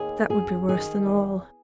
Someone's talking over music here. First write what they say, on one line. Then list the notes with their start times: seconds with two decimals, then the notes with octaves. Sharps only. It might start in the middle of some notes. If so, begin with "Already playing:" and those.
That would be worse than all.
Already playing: D#2 D#3 G#4
0.29 F#2 G#4
0.69 D#3 G#4
1.06 E2